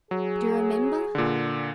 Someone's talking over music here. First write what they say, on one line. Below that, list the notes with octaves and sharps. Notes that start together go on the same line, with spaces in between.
"Do you remember?"
F#3 G#4
A#2 D3